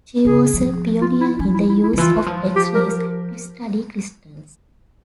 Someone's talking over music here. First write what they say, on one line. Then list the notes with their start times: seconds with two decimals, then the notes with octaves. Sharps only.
She was a pioneer in the use of X-rays to study crystals.
0.24 C#3 G#4
0.54 F3
1.01 F4
1.21 E4
1.39 F3 C#4
1.54 E4
1.69 E4
1.83 E4
1.93 C#3
1.98 E3 F4
2.16 E3
2.26 F3
2.56 G4
2.74 A#4